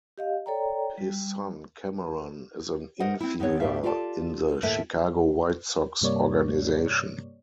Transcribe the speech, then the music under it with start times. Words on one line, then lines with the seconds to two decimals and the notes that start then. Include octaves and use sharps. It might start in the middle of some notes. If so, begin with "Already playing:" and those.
His son Cameron is an infielder in the Chicago White Sox organization.
0.18 G4 D#5 F5
0.46 A4 C#5 D5 G5 A#5
0.98 G3
3.00 A#4 C5 D#5 F#5
3.20 C4 E4
3.40 D#3 B3 C4 C#5
3.60 A2 G4 D5 E5 F5
3.83 F4 G4 A4 D5 F#5 A5
4.63 D#2 A2 A3 A#4 E5
6.01 G2 C3 G3 A#3 C#5 D5